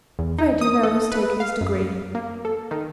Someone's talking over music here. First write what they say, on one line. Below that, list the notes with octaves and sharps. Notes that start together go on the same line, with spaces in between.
Fred, you know, has taken his degree.
E2
D#4
D#6
A4
B4
F5
F#2
A#3
A4
D#3